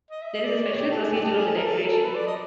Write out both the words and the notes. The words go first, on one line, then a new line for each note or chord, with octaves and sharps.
There is a special procedure of the decoration.
D#5
E5
D#5
D5
D5
C#5
G4
A4
G#4
G4
A4
G#4
A4
A#4
A4
A4
B4
D5
D#5